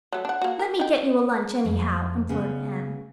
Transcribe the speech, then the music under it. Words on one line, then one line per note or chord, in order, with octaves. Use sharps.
"Let me get you a lunch anyhow," implored Anne.
F#3 A3
D4 F#5
A#3 F#4
A#4
D#4 G5
F2
C#3 B3 C#4